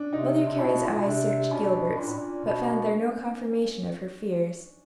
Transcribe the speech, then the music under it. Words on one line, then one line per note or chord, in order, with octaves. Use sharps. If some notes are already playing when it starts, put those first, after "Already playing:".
Mother Carey's eyes searched Gilbert's, but found there no confirmation of her fears.
Already playing: C#4 D4
C3 D#4
C3
B2 E4
A#2
B2
C3 D4
B2 C#4
A#2 D4
A2
A#2
B2